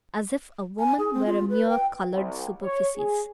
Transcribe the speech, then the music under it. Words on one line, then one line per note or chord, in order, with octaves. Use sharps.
As if a woman were a mere colored superficies!
G#5
G#4
C4
F4
B4
G5
C2
C#5
G#4